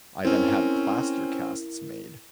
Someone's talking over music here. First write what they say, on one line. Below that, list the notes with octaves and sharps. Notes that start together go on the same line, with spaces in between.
I then had plaster casts made.
C4 C#4 E4 A#4